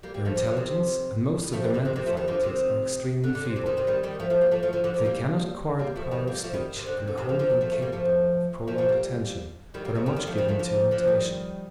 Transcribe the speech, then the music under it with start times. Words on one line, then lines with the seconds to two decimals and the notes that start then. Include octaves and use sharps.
Their intelligence, and most of their mental faculties, are extremely feeble. They cannot acquire the power of speech, and are wholly incapable of prolonged attention, but are much given to imitation.
0.03 G3 A#3
0.14 G3 A#3
0.25 F3 A3
0.36 C3 D#3
0.47 D3
0.57 C3 D#3
1.42 D#3 G3
1.53 F3 A3
1.64 D#3 G3
1.74 D3 F3
1.85 C3 D#3
1.96 C3 D#3
2.06 F3 A3
2.17 D#3 G3
2.28 D3 F3
2.43 C3 D#3
3.24 D3
3.35 D3
3.45 C3
3.56 C3
3.66 C3 D#3
3.77 C3 D#3
3.87 D#3 G3
4.03 D#3 G3
4.20 F3 A3
4.30 F3 A3
4.41 G3 A#3
4.51 F3 A3
4.63 F3 A3
4.73 D3 F3
4.84 D3 F3
4.94 D3 F3
5.05 G3 A#3
5.79 G3 A#3
5.96 F3 A3
6.11 D#3 G3
6.27 G3 A#3
6.43 F3 A3
6.54 D#3 G3
6.76 C3 D#3
6.86 D3
6.97 C3
7.08 D3
7.18 C3 D#3
7.29 D3 F3
7.39 D3 F3
7.50 D#3 G3
7.61 F3 A3
7.71 F3 A3
7.82 G3 A#3
7.92 F3 A3
8.68 F3 A3
8.78 F3 A3
8.89 G3 A#3
9.74 D#3 G3
9.85 G3 A#3
9.95 F3 A3
10.06 D#3 G3
10.16 D#3 G3
10.27 F3 A3
10.38 D#3 G3
10.48 F3 A3
10.59 D3 F3
10.91 D3 F3
11.07 D#3 G3